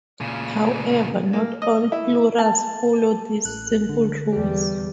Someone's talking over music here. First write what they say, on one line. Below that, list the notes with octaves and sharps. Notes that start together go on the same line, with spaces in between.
However, not all plurals follow these simple rules.
A#2 C#3
A#3
D#5
E4
A5
A1 F#6
D3
E2 G3 G4